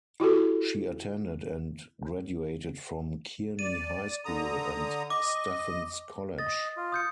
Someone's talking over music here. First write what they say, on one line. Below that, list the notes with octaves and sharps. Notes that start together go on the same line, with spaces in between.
She attended and graduated from Kearney High School and Stephens College.
E4 F#4 G4 A4
D5 D#7
D3 A#5 D#6
D#5 D6
D#5 A6
F4
D#6 G6 C#7